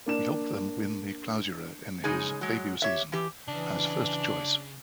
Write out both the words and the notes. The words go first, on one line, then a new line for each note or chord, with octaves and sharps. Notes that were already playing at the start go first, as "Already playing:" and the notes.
He helped them win the Clausura in his debut season, as first-choice.
A#3 D4 E7
C#3 G#3 D#4 G#4
F#3 G#3
G4 C#5 E5
E3 G4
C#3 E3 D4